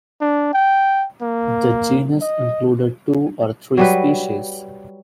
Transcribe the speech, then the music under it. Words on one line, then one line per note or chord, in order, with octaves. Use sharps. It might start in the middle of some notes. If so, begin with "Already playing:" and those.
The genus includes two or three species.
D4
G5
A#3
D#5
F#3 G3 B4